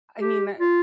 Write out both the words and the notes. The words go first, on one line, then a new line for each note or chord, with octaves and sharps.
I mean, I
G4
F4